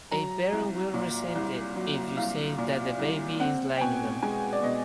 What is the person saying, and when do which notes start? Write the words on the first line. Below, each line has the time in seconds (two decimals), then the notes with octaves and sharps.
A parent will resent it if you say that the baby is like them.
0.11 F#3 A#5
0.53 C2
0.94 A#2
1.35 C2
1.76 F#3
2.17 C2 F5
2.58 A#2
2.99 C2
3.40 C4 F#5
3.77 G5
3.81 B2 G#5
4.23 G#3 G#5
4.53 D5
4.63 B2 D#5